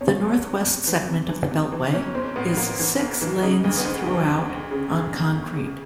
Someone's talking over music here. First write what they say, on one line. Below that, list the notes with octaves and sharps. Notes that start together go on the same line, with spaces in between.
The northwest segment of the beltway is six-lanes throughout, on concrete.
C3 C#4
E2
C3
C3
E3
C3
E3
C3
E3
B1 C#4
B1 C4
A2 B3
A2 A#3
E3
B1
E3
C#3 D#4
D2
B3
D2 C4
D2
D2
D2
C#3
D2
G1
G1
C#3